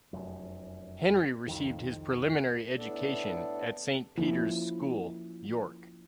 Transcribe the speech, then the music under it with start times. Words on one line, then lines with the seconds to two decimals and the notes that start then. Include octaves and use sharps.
Henry received his preliminary education at Saint Peter's School, York.
0.13 F1 F#2
1.47 C2 F2 D#3
2.77 A2 B3 D4 A4 D5
4.18 F3 A#3 C#4 E4